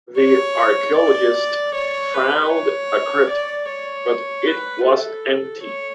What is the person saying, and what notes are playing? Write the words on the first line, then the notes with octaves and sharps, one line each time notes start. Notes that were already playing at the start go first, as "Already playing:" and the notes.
The archaeologists found a crypt, but it was empty.
C#5
D5
C#5
B4
C#5
D5
C#5
B4
A4
C#5